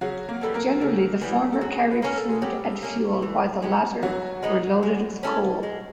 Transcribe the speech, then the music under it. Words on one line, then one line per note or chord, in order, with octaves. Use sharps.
Generally, the former carried food and fuel while the latter were loaded with coal.
C#3 F#3 F#4
A#3 A#4
E3 G3 B3 A4
A#3 A#4
C#3 A3 A4
E3 G3 B3
A4
F#3 G#3 G#4
B4
A#3 C#4 A#4
A4
G#4
F#3 G3 G4
A#3 C#4
E3
G#3 B3 D#4
E3 F#3 F#4
G#3 B3 D#4
G#3
C#4 E4 A4
G#3